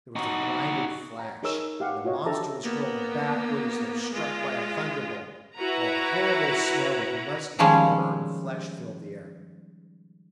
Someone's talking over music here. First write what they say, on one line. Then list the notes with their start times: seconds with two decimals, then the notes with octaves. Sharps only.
There was a blinding flash, and the monster was hurled backward as though struck by a thunderbolt, while a horrible smell of musk and burned flesh filled the air.
0.16 D#4 F#4
1.19 C#5 A#5
1.43 D#4 G#4 A#4 C#5 E6
1.80 G4 F5 F#5
2.05 F4 F#4 C#5 D#5 F#5
2.26 D4 G4 A4 E5 A5 A#5
2.63 A#3 B3
4.13 G#3 F4
5.56 E4 F#4 B4 A#5
7.59 D#3 F3 G3 G#3 C#4